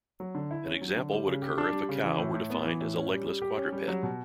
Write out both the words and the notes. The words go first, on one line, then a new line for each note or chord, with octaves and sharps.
An example would occur if a cow were defined as a legless quadruped.
F#3
D3
E4
C#4
F#3
D3
G3
C#3
G4
D4
G3
C#3
E3
A2
A2
B3
E3
A2
C#4
G3
G3
G4
C#4
G3
F#3
B2